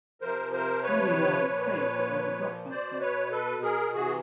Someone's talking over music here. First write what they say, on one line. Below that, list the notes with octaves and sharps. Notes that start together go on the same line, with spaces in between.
In the United States, it was a blockbuster.
C3 F3 A#4 C5
A#4 C5
B4 C#5
A#2 F3
B2 C5 D5
B4 C#5
A4 B4
G#4 A#4
C3 E3 F#4 G#4